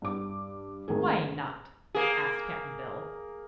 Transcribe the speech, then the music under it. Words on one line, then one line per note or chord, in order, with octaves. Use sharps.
"Why not?" asked Cap'n Bill.
G2 D6
G#1 D#3 A3 G#4
A#3 G#4